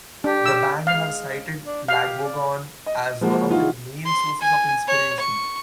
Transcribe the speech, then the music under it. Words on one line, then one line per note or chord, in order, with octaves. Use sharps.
The band have cited Lagwagon as one of their main sources of inspiration.
D4 G4
E6
G#3 F5
D4
G4 F5
D5
D#5
F3 G#3 A#3 F#4
E3 D#4 F4 F#4
C6
G#5
C#5
C#6